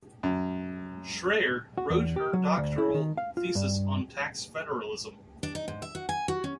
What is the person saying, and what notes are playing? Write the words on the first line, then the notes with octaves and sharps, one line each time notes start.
Schreyer wrote her doctoral thesis on tax federalism.
F#2
F#4
E2
G4
F#3
D2
E4
D#3
F5
F4
G2
D4
D#4
G#2
E5
F#4
G#5
F#4
C#4